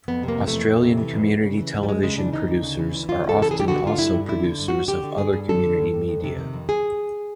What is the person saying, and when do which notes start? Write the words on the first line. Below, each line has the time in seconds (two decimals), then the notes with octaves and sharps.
Australian Community Television producers are often also producers of other community media.
0.08 F2 B3
0.23 C3
0.28 A#3
0.38 E3
0.48 F2 A3
0.69 F2
0.83 C3
0.98 E3
1.13 F2
1.28 D2
1.44 C#3
1.58 E3
1.73 D2
1.83 G3
1.88 D2 G#3
2.03 C#3 G#3
2.18 E3 D4
2.33 D2 D#4
2.48 D2
2.63 C#3
2.79 E3
2.94 D2
3.08 D2 F4
3.24 C#3 A4
3.39 E3 A4
3.51 D2 G#4
3.60 G4
3.68 D3 F#4
3.83 D3 F4
3.98 G2 E4
4.13 G2
4.28 D3 E4
4.44 D3
4.59 G2
4.68 F#4
4.74 G2
4.88 D3 G4
5.03 D3
5.18 G2 G#4
5.33 G2
5.49 D3 A4
5.63 D3
5.78 G2
5.94 G2
6.08 F2
6.24 C3
6.38 D#3
6.54 F2
6.69 G#4